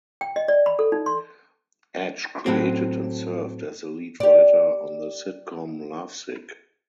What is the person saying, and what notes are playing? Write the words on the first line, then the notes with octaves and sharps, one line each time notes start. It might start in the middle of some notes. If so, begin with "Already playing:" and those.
Edge created and served as the lead writer on the sitcom "Lovesick".
G5
D#5
D5
B5
A4
D#4
C6
A2 F#3 C4
G4 D5